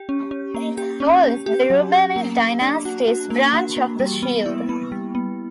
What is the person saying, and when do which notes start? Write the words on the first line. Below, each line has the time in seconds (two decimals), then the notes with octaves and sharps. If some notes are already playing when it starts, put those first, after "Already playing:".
It holds the Rubenid Dynasty's branch of the shield.
Already playing: G4
0.09 C#4
0.31 C#4
0.54 A#3
0.78 G4
1.00 C#4
1.24 G4
1.46 G4
1.70 F#3
1.92 G4
2.16 A#3
2.39 A#3
2.61 D4
2.85 F#4
3.07 F#4
3.30 A#3
3.54 F#4
3.77 A#3
4.00 G3
4.23 B3
4.46 E4
4.69 B3
4.92 G3
5.15 B3